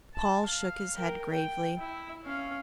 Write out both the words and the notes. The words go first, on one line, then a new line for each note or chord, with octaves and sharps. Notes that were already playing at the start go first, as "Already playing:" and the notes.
Paul shook his head gravely.
A5
F5
A#4 G5
G5
E4
C#4 F5